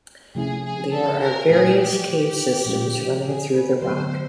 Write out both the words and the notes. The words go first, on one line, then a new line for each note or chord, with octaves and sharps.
There are various cave systems running through the rock.
C3 F3 A3 C#4 E4 G#4
G#4
A4
A#4
A#2 F3 A3 G#4
G4
A#2 F3 G#3 C#4 F4
G#4
B4
D3 F#3 B3 C5